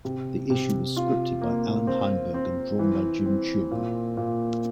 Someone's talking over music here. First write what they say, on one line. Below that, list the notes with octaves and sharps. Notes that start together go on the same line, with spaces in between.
The issue was scripted by Allan Heinberg and drawn by Jim Cheung.
C3
C3
F4
A#3
C4
C4
E3
C4
A#2
A#2